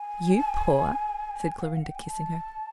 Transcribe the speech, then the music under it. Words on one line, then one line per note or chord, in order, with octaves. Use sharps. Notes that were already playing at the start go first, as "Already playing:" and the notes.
"You poor!" said Clorinda, kissing her.
Already playing: G#5
F5
F#5
G5
G#5
A5